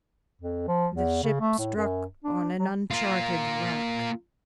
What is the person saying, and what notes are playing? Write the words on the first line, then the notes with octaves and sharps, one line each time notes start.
The ship struck on an uncharted rock.
F2
F3
E2
C#3
A3
A2
F#2
D4
F#3
A#3 F4